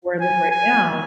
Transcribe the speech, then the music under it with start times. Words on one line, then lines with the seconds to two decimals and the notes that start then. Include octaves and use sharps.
Where I live right now,
0.21 G#5
0.51 G#5